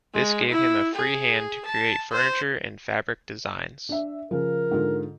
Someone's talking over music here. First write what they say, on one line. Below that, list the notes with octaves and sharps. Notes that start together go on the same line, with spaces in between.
This gave him a free hand to create furniture and fabric designs.
G#3
E4
G#4
A5
C5
D4 E5
C#3 F3 A#4
G#2 D3 F4